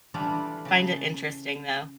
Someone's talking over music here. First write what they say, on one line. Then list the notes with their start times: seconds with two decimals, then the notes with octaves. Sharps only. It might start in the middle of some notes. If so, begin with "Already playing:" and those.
I find it interesting, though.
0.14 E3 G3 A3 D4 E4 F4
0.65 C#3 A5